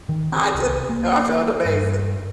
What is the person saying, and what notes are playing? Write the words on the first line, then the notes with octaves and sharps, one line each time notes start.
I just I felt amazing.
D#3
C4
C2
A#3
G2